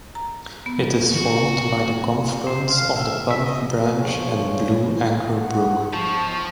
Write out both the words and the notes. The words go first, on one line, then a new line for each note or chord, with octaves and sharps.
It is formed by the confluence of the Pump Branch and Blue Anchor Brook.
A#5
B3
F#4
C5
F5
E5
E5
D#5
D2 G2 F3 G#3 G#4 C#5
F#5
E2 F3 A5 C#6